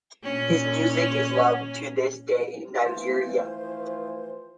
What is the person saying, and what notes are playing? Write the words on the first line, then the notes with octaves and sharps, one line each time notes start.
His music is loved to this day in Nigeria.
A#2 C#4
E3 F3 A3 F4 C5